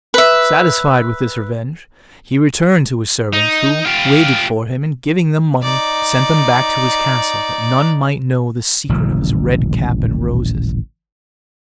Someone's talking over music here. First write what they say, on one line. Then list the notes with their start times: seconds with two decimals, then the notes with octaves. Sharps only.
Satisfied with this revenge, he returned to his servants, who waited for him, and giving them money, sent them back to his castle, that none might know the secret of his red cap and roses.
0.14 B4 E5
3.33 D#4
3.86 F4 G4
5.62 D#4 D5
8.89 D#1 A1 C#3 F#3